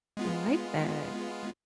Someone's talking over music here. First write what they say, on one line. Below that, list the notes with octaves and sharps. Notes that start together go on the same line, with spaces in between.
I like that.
G#3 B3 F4